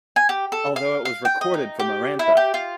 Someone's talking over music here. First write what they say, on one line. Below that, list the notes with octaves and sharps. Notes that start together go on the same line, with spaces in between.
Although it was recorded for Maranatha!
G#5
G4
A4
F5
F5
G5
D#5
D#4
G4
E4
G4
F4